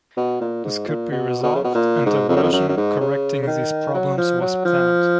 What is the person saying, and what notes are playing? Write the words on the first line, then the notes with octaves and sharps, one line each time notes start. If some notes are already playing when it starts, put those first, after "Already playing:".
This could be resolved, and a version correcting these problems was planned.
B2
A#2
G#2
A#2
B2
B2
C#3
B2
A#2
G#2
F2
F#2
F2
F#2
F#2
G#2
C#3
C#3
D#3
F#3
F3
F#3
F3